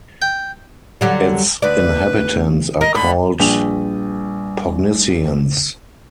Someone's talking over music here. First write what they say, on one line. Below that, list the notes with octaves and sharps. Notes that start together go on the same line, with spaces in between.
Its inhabitants are called "Pognissiens".
G5
D3 F#3 G3
D2 B4 D5
A#4 D#5
D2 D3 B5
A#1 G3 B4 G5